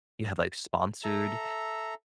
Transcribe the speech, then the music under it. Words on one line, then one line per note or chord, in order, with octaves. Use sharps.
you have, like, sponsored,
A4 E5 A#5